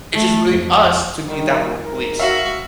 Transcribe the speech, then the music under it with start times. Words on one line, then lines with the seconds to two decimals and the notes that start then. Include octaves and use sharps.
It's just really us to be that world police.
0.12 A3
0.48 F2
1.26 D#3 G3
1.84 G#2 A#4
2.19 F#4 E5 F5